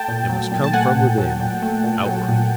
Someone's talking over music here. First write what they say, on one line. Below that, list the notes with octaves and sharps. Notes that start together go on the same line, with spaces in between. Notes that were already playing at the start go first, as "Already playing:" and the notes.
It must come from within, outward.
Already playing: A3 G5 A5
A#2
F#3
A#2
A5
A3 F#5 G#5
A#2
F#3
A#2
A3
A#2
F#3
A#2